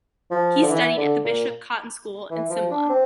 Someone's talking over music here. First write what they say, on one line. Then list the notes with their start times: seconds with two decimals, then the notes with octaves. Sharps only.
He studied at the Bishop Cotton School in Simla.
0.31 F3
0.63 D3
0.71 E3
0.97 D3
1.24 A#2
2.30 E3
2.50 F3
2.71 D4
2.90 C4